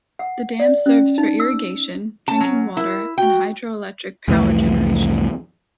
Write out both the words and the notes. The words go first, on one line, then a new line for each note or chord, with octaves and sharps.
The dam serves for irrigation, drinking water and hydroelectric power generation.
F#5
D5
C#4
D#4
E6
C#4 A5
F#3
E4 A#4
F#4 G5
C2 F2 E3 A3